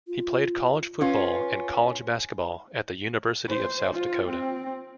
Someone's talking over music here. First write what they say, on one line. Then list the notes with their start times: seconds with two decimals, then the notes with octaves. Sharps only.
He played college football and college basketball at the University of South Dakota.
0.07 F4
1.01 C#4 F4 B4
3.48 C5
3.93 F4
4.28 C4